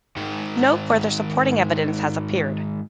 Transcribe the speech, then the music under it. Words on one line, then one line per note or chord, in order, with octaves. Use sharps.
No further supporting evidence has appeared.
G#2 D#3